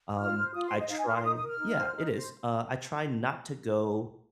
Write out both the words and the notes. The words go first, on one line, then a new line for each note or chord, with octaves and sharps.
Um, I try Yeah. It is. Uh, I try not to go
F4 F6
C5
F4 D#6
C6
C5
D#5
D#4 F5
G#5
A#4 F6
C6
D#4 D#6
D#6
A#4
F6
D#4
C5
D#4
C5